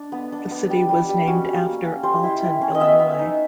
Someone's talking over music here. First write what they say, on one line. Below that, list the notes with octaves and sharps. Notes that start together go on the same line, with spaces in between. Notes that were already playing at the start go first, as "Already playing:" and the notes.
The city was named after Alton, Illinois.
Already playing: D4
B3
D4
B3
G3
G3
G3
C#4 F#4
G3
A#3
C#4
G3 C5
E4
E4
C#4
D#5
B3 E5
B3
D#4